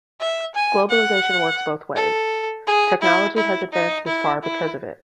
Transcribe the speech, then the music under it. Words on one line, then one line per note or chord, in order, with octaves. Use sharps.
Globalization works both ways. Technology has advanced this far because of it.
E5
G#5
F#5
A4
G#4
E4
E4
D#4
E4
E4